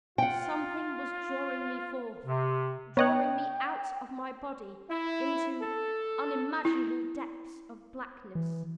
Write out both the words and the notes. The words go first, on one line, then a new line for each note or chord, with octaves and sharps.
Something was drawing me forth; drawing me out of my body into unimaginable depths of blackness.
F4 F#5 G5
C3
B3 C#5 D#5 G5 F#6
E4
A4
E4
E3